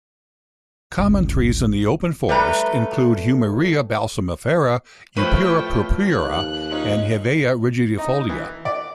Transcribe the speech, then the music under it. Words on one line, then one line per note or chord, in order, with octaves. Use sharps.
Common trees in the open forest include "Humiria balsamifera", "Eperua purpurea" and "Hevea rigidifolia".
G1 C#2
G3 A3 B4 A#5
A2 F3 A3 B4 C#5 G5
D#2 F#6
C#4 D#4 F4
D#4
E3
D5